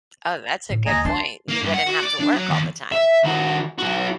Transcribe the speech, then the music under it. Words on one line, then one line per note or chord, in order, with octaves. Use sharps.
Oh, that's a good point. You wouldn't have to work all the time.
A2
D#2 A#3 D#5 G#5 A#5
D4 A5 C6
A#3
G2
F#5
F#4
D5
D4
F#3
D#2
E5
D#2 F#4
B1 F#4